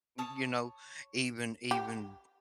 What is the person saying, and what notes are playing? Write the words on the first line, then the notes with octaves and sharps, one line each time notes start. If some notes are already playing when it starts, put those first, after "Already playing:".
y you know, even even
C#5 A5 D#6
G4